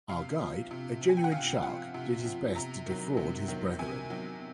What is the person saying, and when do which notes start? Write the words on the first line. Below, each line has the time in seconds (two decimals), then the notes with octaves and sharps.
Our guide, a genuine shark, did his best to defraud his brethren.
0.09 C3 F5
0.39 F3
0.71 C3
1.01 F3
1.09 G#5
1.17 G5
1.24 F#5
1.32 C3 F5
1.63 F3 F#5
1.94 C3
2.25 F3
2.55 C3 A#5
2.86 D#3 F#3
3.17 C3
3.48 D#3 F#3
3.79 C3 G#5
4.10 D#3 F#3